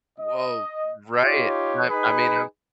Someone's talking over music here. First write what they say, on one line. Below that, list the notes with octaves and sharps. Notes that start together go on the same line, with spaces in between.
Woah! Right. I I mean, I'm
D#5
D#4 F4 G4 C#5
D#4 G#4 B4 B5